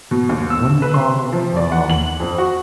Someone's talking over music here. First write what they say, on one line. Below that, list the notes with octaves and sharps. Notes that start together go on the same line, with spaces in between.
you know, what do you call them, um
B2
D#2
E6
B4
C6
F3
D5
F#5
F#7
F2
F#4